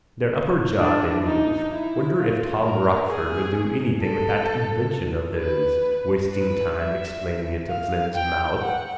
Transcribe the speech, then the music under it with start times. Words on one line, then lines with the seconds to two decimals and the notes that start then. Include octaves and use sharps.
Their upper jaw they move. Wonder if Tom Rochford will do anything with that invention of his? Wasting time explaining it to Flynn's mouth.
0.79 D4
1.26 D#4
1.72 E4
2.18 F4
2.63 A#4
3.10 G#4
4.02 A4
5.40 B4
6.32 B4
6.77 E5
7.69 F5
8.15 G5
8.61 F#5